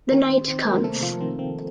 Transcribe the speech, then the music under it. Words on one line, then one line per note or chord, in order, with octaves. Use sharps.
The night comes.
D#3 A#3 A#4
C4 C5
D#3 C4 C5
A#3 A#4
C3 A3 A4
F3 F4
D#3 C4
C4